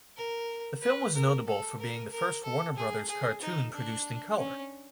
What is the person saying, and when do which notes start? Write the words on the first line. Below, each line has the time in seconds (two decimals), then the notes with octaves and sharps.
The film is notable for being the first Warner Brothers cartoon produced in color.
0.16 A#4
0.82 B4
1.14 A#4
1.46 A4
1.79 A#4
2.11 A#4
2.43 A4
2.76 G#4
3.08 G#4
3.41 D#4
3.73 D4
4.38 C#4